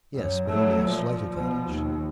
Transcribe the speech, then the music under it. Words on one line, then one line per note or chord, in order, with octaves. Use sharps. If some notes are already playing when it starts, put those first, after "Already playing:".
"Yes, but only a slight advantage."
F#2
F#3 A3
A#2 F3
B2 F3
D#2